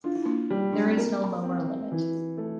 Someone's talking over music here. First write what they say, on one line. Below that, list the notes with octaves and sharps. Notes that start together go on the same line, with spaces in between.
There is no lower limit.
D4 F4
E4
A#3 D4
G3
D4
C4
A#3 A#4
C4
E3
A3